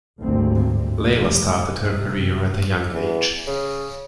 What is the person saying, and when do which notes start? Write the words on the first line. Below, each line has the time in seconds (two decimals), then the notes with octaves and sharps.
Laila started her career at a young age.
0.20 G#1 D2 G2 A#2 C4
1.06 F1 G3
1.74 G2 C3
2.90 E2
3.47 C#3